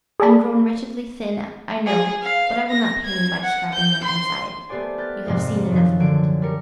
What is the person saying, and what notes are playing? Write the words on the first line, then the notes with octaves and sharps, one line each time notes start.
I am grown wretchedly thin, I know; but I will not pain you by describing my anxiety; you have seen enough of it.
G#4 A4 D5 A5 B5
G#4
F5
A#6
G#6
F#5
G6
C6
A3 B3 G4 C5 D5 G#5
B4 F6 G6 A6
F2 G#2 C3 G3 G#3 C4
F#2 D#3 F3
D3 F#3 G#6 D7
G3 A#4 C#7